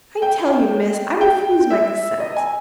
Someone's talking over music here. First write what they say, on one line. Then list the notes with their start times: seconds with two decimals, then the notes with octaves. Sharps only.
I tell you, miss, I refuse my consent.
0.22 G5
1.21 G5
1.70 E5
2.20 D#5
2.36 G#5